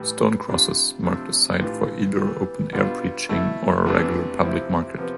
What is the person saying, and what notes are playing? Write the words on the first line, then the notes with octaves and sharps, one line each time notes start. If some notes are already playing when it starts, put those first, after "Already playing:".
Stone crosses marked a site for either open-air preaching or a regular public market.
Already playing: A2 E3 G3
C3 G3 D4 F4
C3 F3 A3 D4
A2 E3 G3 D4 F4
E3 G3 B3
B2 G3 B3 D4 F4
B2 A3 E4
E2 C3 E3 A3 D4
C3 F3 C4 E4
C3 F3 B3